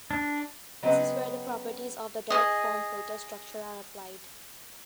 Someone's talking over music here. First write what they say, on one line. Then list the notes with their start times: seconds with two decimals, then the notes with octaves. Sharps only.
This is where the properties of the direct-form filter structure are applied.
0.11 D4
0.83 C#3 F#3 B3 C4 F#4 D#5
2.30 G#4 D#5